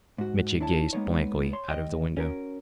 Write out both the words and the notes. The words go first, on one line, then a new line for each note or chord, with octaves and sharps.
Mitya gazed blankly out of the window.
G#2 F#4
D4 E4 C#5 A5
G#3 A#3 B3 D#4 C#5
C#5 C6
D#2 G#2 D#5 G5
C#4 F#4 A#4